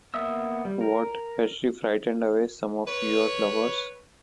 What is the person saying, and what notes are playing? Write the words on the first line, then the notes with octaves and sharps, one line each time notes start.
What, has she frightened away some of your lovers?
A#3 B3 E5 D#6 E6
G3
A#4
B4 C#5